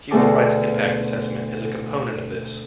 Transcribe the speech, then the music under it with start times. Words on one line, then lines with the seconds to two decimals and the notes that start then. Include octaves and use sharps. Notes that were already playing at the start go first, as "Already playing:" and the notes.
Human Rights Impact Assessment is a component of this.
0.11 D2 B2 A3 G#4 A5 D6